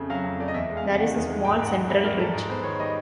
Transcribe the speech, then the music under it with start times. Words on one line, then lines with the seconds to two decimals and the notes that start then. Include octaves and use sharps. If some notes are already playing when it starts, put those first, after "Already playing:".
There is a small central ridge.
Already playing: F2 C#3 A3
0.10 F#3 F5
0.24 F2
0.40 A3 D5
0.48 D#5
0.54 E2 E5
0.70 G#3
0.77 F5
0.84 C3
0.99 D#3 F#5
1.14 E2
1.29 G#3
1.45 G#2 G5
1.59 G#2 G5
1.67 F#5
1.74 E3
1.89 G3 E5
2.04 G#2 A#4
2.19 G#2 A4
2.34 G#2
2.49 B3 C5
2.64 D#3 C#5
2.79 G3 D#5